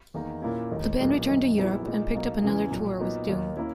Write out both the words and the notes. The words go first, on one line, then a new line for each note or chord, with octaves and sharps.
The band returned to Europe and picked up another tour with Doom.
E2 D#3 A#3 D#4
A#2 A#3 C#4 E4
E1 D#2 D#3
B1 A#2 G#3 B3 D#4
F#1 F#2 D#3
A#1 A#2 F#3 B3 E4
A#2 G#3 D#4
B1 B2 A#3 D#4
E2 C#3 E3
B1 A#2 F#3
A#2 F#3 B3 D#4
D#2 D#3 A#3
A#3 C#4 E4